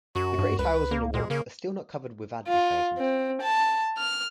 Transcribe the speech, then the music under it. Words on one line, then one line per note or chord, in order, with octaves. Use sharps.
The grey tiles on the walls are still not covered with advertisements.
F#2 F#4
G2
C#2 B4
A#3
A#2 G#3
C#3 A#3
F4
C4
A5
F6